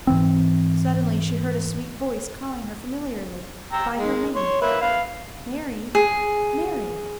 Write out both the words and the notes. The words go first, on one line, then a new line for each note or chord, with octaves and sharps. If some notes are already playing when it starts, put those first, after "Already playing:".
Suddenly she heard a sweet voice calling her familiarly by her name, "Mary, Mary!"
G#2 E3 C4
G5 A#5 E6
D#3 G#3
C#5 C6
A#3 B4 E5
B4 F5
G#4